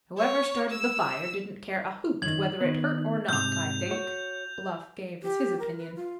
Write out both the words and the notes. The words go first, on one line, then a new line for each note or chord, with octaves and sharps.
"Whoever started the fire didn't care a hoot whether it hurt or not, I think," Bluff gave as his opinion.
C#5
E6
F#2 D#3 G#6 F#7
D#3 B3
G#2 C3 G6 F7
F#4 C#5
G4
A#4
B4
F4